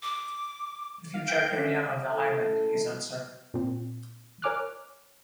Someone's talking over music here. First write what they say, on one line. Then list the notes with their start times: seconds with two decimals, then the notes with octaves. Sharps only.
The future area of the island is uncertain.
0.02 D6
1.14 F5
1.28 G5 G6
1.58 C#4 E5
2.10 A3 C#4 E4 G#4 A4
3.54 A#2 C4
4.42 A#4 C#5 G#5 D6 F6 F#6